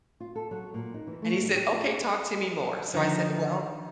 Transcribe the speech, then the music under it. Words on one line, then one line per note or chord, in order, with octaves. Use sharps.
and he said, "Okay, talk to me more," so I said, "Well,"
F4
A4
F#3
A#2
D#4
E3
A3
D#4
G4
F4
D3 D#3 F3 D#4